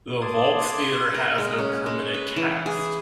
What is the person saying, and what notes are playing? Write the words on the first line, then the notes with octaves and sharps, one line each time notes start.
The Volxtheater has no permanent cast.
A5 C6 D6 D#6 G#6
A#4
G#3
C#4
G#3
B4
E3
G#4